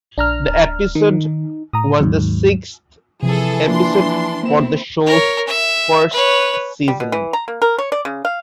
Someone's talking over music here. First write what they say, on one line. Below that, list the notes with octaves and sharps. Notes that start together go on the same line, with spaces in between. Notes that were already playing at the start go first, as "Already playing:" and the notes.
The episode was the sixth episode for the show's first season.
A#1 D4 A#5 F6
D1
D#3 D#4
A2 A#5 D#6
D#2 G#2 F#3
C3 E3 F3 G#4 A4
F3 A#3 D4 F4 C6
A#3 C4 E4 E7
A#4 C#5
E5
B4 C#5
G3
B2
E3
A#5
A#3
A#4
C#5
D5
C#3
F5